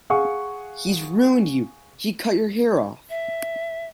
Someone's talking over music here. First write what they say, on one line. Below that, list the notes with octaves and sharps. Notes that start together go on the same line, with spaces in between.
'He's "ruined" you-he cut your hair off!
G#4 F5 F#5 C#6
E5